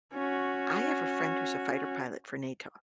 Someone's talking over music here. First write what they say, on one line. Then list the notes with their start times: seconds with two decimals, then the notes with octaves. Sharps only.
I have a friend who's a fighter pilot for NATO,
0.13 C#4 F#4